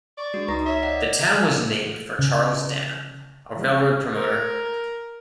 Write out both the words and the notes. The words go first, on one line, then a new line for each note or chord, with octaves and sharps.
The town was named for Charles Dana, a railroad promoter.
D5 C#6
G#3 D4 F#4
C#2 D#4 B4 A#5 D#6 A#6
C#5 E5
D5 D#5 F#5
C#3
A#4